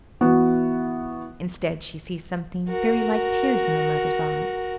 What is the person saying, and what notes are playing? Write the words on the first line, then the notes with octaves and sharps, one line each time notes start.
Instead she sees something very like tears in her mother's eyes.
E3 B3 F#4
F#4 A#4